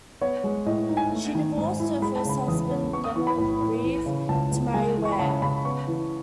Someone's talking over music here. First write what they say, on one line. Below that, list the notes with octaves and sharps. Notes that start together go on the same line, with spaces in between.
She divorced her first husband, Donald Reeve, to marry Weir.
B3 C#5
G#3
A2 D#5
D#4
G#5
A3
D#3
G#2
E4
G#3 B5
A5
C#3 B5
E2 D#6
C#4
B3 C#6
D#6
E3 C#6
B5
A2
A2
E3
C#3
C#2 A5
C#2
G#3 G#5
E3
C#6
B5
C#3 A5
C#3 B5
B3 C#6
E3